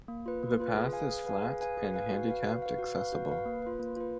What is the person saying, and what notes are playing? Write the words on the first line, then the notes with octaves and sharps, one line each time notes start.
The path is flat and handicapped-accessible.
A#3
F4 B4
A#3
F4 B4
G#4
B4 F5 G#5
G#4
B4 F5 G#5
G#4
B4 F5 G#5
G#4
B4 F5 G#5
F#4
B4 F5
F#4
B4 F5
F#4
B4 F5
F#4
B4 F5
A#3
F4 B4
A#3
F4 B4